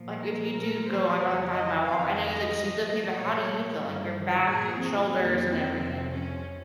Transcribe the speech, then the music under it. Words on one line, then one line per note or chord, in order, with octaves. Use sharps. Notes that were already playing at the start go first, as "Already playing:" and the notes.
a like, if you do go, like, on a five-mile walk I know you said she's okay, but how do you feel? Like, your back, and shoulders, and everything.
Already playing: A#2 F3
A#4
A#2 F3 A#4
C5
F2 C#3 F3 C#5
D#5
F2 D#3 F5
D#5
G2 F3
A#2 F3 C#5
G2 D#3
A#2 F3 G#4
C4
F2 D#3 A#3
C4
F2 C3 F3 C4
C#4